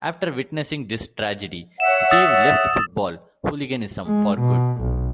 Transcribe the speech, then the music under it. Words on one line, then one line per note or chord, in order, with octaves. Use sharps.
After witnessing this tragedy, Steve left football hooliganism for good.
C#5 E5 F#5 E7
D#6 E6 A6
G#3
B2
B1